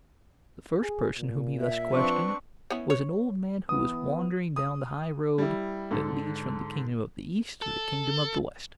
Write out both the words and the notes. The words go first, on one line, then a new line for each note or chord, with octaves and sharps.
The first person whom he thus questioned was an old man who was wandering down the high road that leads from the Kingdom of the East to the Kingdom of the West.
G#4
A#2
E5
F3 C4 D4 B4 C#6
B3 C#4 E4
C#5
E3 B3 D#6
D#6
G3 E4
G#2 D3 A4
A4